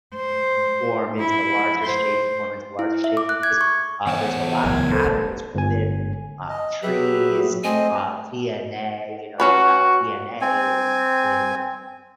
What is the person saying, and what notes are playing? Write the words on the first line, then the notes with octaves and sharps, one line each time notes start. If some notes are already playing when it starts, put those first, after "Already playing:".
form into larger shapes, form into larger shapes, because, uh, there's a lotta patterns within, uh, trees, uh, DNA, you know, you've got DNA in in,
C5
E4
C5
E4
E5
D6
F#6
G#6
C#6
E2 C5 C#5 F#5 A5
D1 C#2 A#4 G#5 G#6
A4 C5
A3
G1 G#5
D#5
F#3 G4 G#4 B4 E5
A3 C4 D#5 G#5
F#3 C#4 F#4 B4
C4 G#5